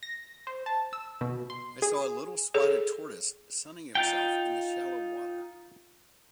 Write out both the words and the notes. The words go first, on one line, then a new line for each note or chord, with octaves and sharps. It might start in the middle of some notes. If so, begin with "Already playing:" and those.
I saw a little spotted tortoise sunning himself in the shallow water.
A#6
C5
A5
E6
B2
C6
G#4
G#4 A4 C#5
D#4 F4 G5